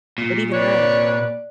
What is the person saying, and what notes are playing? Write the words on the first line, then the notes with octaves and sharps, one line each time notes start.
But even then,
A#2
C3 B4 C#5 D5